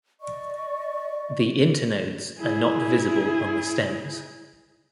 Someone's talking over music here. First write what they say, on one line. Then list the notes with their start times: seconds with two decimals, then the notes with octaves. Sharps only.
The internodes are not visible on the stems.
0.21 D5 D#5 C#6
2.39 E4 G#4